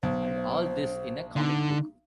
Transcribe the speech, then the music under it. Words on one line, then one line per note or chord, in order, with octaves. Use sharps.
And all this in a comic book!
B1 C5
D3 D#4